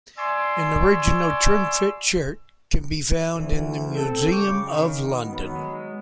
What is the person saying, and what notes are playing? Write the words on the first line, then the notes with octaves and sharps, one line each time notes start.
An original Trimfit shirt can be found in the Museum of London.
D5 E5 G#5 C6 C#6 E6
D2 E3
C4 A4
C#3 G5 C#6 D6
D#3
F#3 B3
G#3